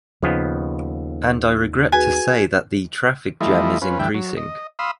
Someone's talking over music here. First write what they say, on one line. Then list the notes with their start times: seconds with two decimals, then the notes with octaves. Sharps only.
And I regret to say that the traffic jam is increasing.
0.23 D#2 C#3 F3 B3 D#4
1.92 F#4 G#4 B4 G#5
3.41 E3 G3 A3 E4 F4 D#5
3.82 C#4 F4 B4
3.99 D2 G2 E3 E5 G5
4.14 F#3
4.37 D#5
4.79 F5 B5 C6 D#6 E6